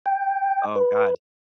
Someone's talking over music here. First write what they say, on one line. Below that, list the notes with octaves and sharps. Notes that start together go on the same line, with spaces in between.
Oh, god.
G5
B4